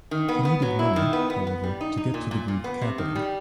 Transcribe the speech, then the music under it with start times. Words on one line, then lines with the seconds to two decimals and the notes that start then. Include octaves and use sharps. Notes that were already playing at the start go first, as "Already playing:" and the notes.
He needed money, however, to get to the Greek capital.
0.11 D#3
0.28 B3
0.45 B3
0.62 F#3
0.79 E4
0.96 D#3
1.13 B3
1.30 B3
1.47 B3
1.64 G3
1.81 D#4
1.97 D#4
2.14 A#2
2.31 A#2
2.48 A#2
2.64 B3
2.81 C3
2.98 D#3
3.15 G3